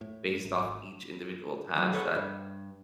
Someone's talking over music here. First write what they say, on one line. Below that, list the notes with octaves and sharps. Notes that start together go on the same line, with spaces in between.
based off each individual task that
A2
G#1
D#3 F#3
G#4 A4 B4 C#5 D#5 F#5
G2